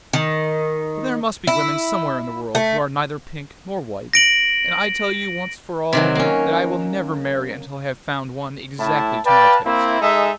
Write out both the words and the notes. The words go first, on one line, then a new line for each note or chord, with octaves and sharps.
But there must be women somewhere in the world who are neither pink nor white, and I tell you, once for all, that I will never marry until I have found one exactly to my taste.'
D#3
E4
A3
A#6 D7 F#7
C3 D#3 F#3
A#3 C#4
A2 E4 A5
B4 D5 F5 G5 A5
A#3 C4 E4
G#3 D#4 G#4 A4 E5